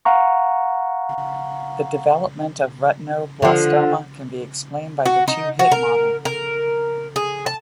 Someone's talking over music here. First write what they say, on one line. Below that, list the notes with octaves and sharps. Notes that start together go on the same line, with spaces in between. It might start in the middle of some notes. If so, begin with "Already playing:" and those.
The development of retinoblastoma can be explained by the two-hit model.
F5 F#5 A#5 C#6
D3 F3
F#4
D#4
F#4
A#4
A#4
G#4
A5